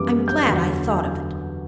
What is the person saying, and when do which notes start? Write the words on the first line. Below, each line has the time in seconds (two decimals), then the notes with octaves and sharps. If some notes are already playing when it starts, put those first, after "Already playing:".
I'm glad I thought of it.
Already playing: F#2 E3 G3 B3 D6
0.28 G6
0.46 E2 D3 F#3